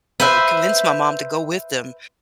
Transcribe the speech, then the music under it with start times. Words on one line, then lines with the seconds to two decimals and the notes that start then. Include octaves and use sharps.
uh, convince my mom to go with them,
0.20 B4 C5 E5